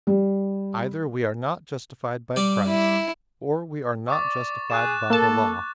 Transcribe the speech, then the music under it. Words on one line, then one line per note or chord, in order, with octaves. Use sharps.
Either we are not justified by Christ, or we are not justified by the Law.
G3
G3 D5
E4
D5 C#6 D6 A6
G#4 F#6 A6 E7
A#3 A4 A5